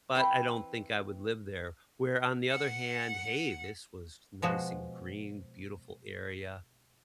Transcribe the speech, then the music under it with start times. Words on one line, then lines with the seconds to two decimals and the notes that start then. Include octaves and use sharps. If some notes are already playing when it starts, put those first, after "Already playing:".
but I don't think I would live there." Where on the other hand, "Hey, this was nice and green, beautiful area.
0.15 E3 C4 B4 G5
2.50 F#5 C#7
4.42 B2 F3 G#3 F#4